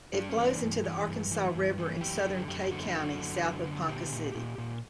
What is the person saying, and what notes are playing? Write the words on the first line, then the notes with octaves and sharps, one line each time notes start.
It flows into the Arkansas River in southern Kay County, south of Ponca City.
G2 D4
C#4
E3
D4
G2
E3
G2
E3
G2
E3
F#2 G4
D3
F#2 G4
G4
D3 F#4
E4
F#2 F#4
D3
F#2
D3
A#2 G4
A#2
A#2
A#2